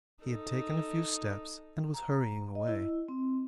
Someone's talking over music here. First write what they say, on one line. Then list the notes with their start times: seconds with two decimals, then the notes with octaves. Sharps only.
He had taken a few steps, and was hurrying away.
0.24 D#4 A4
1.94 A#5
2.55 D#5
2.68 E4
3.09 C4